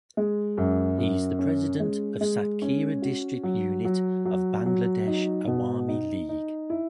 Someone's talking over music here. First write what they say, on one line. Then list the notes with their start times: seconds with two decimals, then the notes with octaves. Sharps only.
He is the President of Satkhira District unit of Bangladesh Awami League.
0.17 G#3
0.57 F#2
0.98 F#2
1.39 C#4
1.80 G#3
2.21 G#3
2.62 C#4
3.02 F#4
3.43 F#3
3.85 F#3
4.25 F#3
4.66 F#3
5.07 D#4
5.47 B2
5.88 D#4
6.29 D#4
6.70 E4